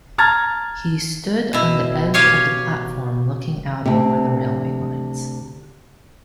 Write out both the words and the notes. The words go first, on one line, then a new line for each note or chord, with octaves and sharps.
He stood on the edge of the platform, looking out over the railway lines.
A5 A#5 F6 G#6 A6
B2 E4
G4 C#5 F5 G#5
D2 C3